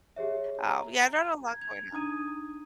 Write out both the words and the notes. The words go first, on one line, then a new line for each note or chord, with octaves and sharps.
um, yeah, I've got a lot going on.
G4 G#4 C#5 E5
A#5
G#6
G#6 F7
D4 D#4 A#5 D#6 G#6 D#7